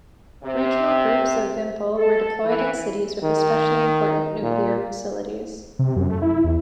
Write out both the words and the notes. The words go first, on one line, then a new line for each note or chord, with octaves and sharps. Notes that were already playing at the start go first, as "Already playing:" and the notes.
Regional groups of Vympel were deployed in cities with especially important nuclear facilities.
C3
A4
E3
D#3
A#2
C3
F#2
A3
E4
E2